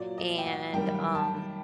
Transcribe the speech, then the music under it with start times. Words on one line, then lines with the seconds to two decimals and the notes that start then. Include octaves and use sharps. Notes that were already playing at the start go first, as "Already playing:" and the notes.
and, um,
Already playing: A#2 F#3 D5
0.18 D#5
0.38 G5
0.45 F#5
0.73 F#2 D#3 G3 G5
1.15 A5